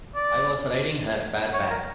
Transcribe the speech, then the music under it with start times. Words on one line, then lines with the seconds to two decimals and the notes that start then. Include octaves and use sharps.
I was riding her bareback...
0.15 D5
1.53 C#5
1.70 A#4